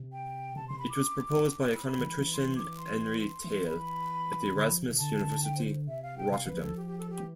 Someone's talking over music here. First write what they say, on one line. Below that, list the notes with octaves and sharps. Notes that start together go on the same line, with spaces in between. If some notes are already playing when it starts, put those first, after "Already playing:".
It was proposed by econometrician Henri Theil at the Erasmus University Rotterdam.
Already playing: C3
G5
C3 A5
C3 C6
B5
D6
D6
B5
B5
D3
E3
E3
C6
D6
C6
C6
E3
B5
D3
F3
E3
C3
D3 A5
D3
G5
C5
C3 E5
F5
G5
C3 F5
E3 B4
F3
A4
G4
G4
A4
G4
E3